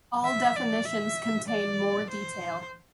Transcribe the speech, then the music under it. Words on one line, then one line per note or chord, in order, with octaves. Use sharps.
All definitions contain more detail.
E5
D5
E5
D5
C5